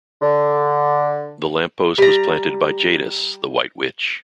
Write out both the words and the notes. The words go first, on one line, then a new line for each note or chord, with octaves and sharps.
The lamp post was planted by Jadis, the White Witch.
D3
G3 A#5